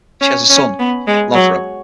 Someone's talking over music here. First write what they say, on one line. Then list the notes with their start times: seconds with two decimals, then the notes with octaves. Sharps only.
She has a son, Lovro.
0.21 C#4
0.49 C#4
0.79 B3
1.07 G#3
1.35 F#3